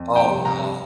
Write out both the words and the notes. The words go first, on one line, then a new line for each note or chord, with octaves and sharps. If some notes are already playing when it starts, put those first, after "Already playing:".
Oh, no.
Already playing: F2
G5
C3
A#5